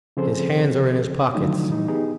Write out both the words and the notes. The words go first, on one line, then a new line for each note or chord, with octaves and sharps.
His hands are in his pockets.
C#3 F3 C4 G#4 A4 C5
D3 D#3 F3 F#3 A3 D#4
A#2 E3 G3 D#4
B3 D#4 G4 G#4